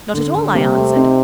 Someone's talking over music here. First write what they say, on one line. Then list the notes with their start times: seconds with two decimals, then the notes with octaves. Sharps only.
'Not at all,' I answered.
0.14 D3
0.34 D3
0.55 C3 G3 A#3
0.75 A3 C4
0.96 C4 D#4